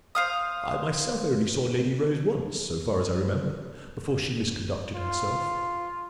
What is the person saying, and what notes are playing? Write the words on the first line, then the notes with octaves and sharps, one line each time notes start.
I myself only saw Lady Rose once, so far as I remember, before she misconducted herself.
C5 F5 D#6
F4